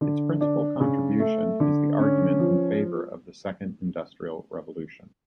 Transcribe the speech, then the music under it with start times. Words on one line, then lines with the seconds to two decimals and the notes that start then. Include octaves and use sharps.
Its principal contribution is the argument in favor of the Second Industrial Revolution.
0.01 D3
0.41 D4
0.80 C#3
1.20 A3
1.60 D3
2.00 C#4
2.39 F3